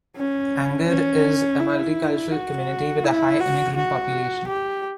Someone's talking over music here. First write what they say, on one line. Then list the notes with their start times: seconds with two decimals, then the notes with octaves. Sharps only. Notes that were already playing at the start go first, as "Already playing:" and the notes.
Angered is a multicultural community with a high immigrant population.
0.16 C#4
0.88 C#4
1.60 E4
2.32 F#4
3.04 E4
3.40 F#4
3.76 F#4
4.48 G4